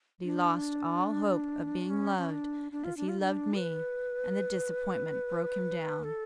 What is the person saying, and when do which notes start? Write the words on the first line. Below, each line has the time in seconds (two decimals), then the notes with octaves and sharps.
But he lost all hope of being loved as he loved me, and the disappointment broke him down.
0.24 D4
1.90 C#4
2.18 C#4
2.31 D4
2.72 D4
2.84 F4
2.97 D4
3.08 F4
3.21 D4
3.55 B4
6.04 A4